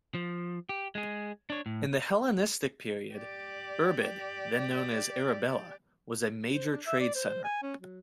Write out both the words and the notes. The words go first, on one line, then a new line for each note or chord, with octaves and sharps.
In the Hellenistic period, Irbid, then known as Arabella was a major trade center.
F3
G4
G#3 G#4
D4 C#5
A2
G4 D5
C5
D4
E5
D5
C5
G#5
C#4
F#3